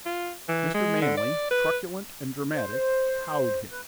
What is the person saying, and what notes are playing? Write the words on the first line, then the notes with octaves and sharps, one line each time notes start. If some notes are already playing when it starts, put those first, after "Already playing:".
Mr. Manley, truculent and dramatic, cowed him.
F4
E3
G#3
D3
D5
B4
C5
B4